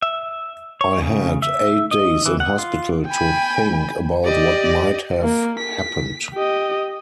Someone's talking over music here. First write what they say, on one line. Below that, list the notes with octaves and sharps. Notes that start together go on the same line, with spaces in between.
I had eight days in hospital to think about what might have happened.
E5
C#5
C#3
E5
D#5
E3
F#5
F4
G5 G#5 B5
G4 D5 D#5
A#3
B6
G4 D#5